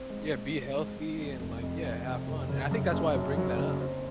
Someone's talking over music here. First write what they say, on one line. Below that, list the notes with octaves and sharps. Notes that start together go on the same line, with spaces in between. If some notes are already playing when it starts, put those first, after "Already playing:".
Yeah, be healthy and, like yeah, have fun, and I think that's why I bring that up,
Already playing: C4
G#3
G#3
C4
G#3
G#3
F2
F1
F2
F2
C3
F1
C#3
F#2
F#1
F#3
F#3
C#3
C4